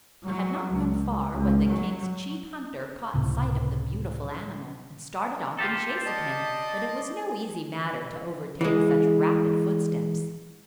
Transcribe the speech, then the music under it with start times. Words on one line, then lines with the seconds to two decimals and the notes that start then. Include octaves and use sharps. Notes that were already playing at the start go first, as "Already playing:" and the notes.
He had not run far when the king's chief hunter caught sight of the beautiful animal, and started off in chase of him; but it was no easy matter to overtake such rapid footsteps.
0.25 F#3
0.72 C#2
1.29 C#2
1.66 F#3
3.14 C#2 A2 C3
5.59 F4 G4 A4
6.06 D5 D#5 A5
8.61 E3 G#3